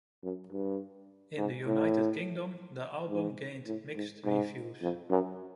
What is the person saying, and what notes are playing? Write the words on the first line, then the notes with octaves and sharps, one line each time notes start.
In the United Kingdom, the album gained mixed reviews.
F#2
G2
G#2
A2
G#2
A2
G#2
G#2
F2
F#2